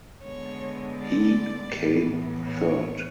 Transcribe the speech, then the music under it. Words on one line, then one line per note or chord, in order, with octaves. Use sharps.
He came third.
D3 G#3 B3 C#5
D5
A2 E3 B3
C#5